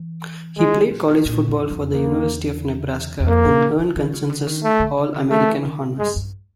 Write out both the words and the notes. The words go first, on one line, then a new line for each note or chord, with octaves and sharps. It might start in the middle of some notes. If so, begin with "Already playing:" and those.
He played college football for the University of Nebraska, and earned consensus All-American honors.
Already playing: E3
D#3 G#3
D3
A#2
B2
A#2
F2
F2
E2 A#3
E2
F2 A#3
B2
C#3
D3
D#3
C#3
D3
D#3
A3
D3
C#3
D3
D#3 A3
E3
D#3
A2
G2 G#3
G2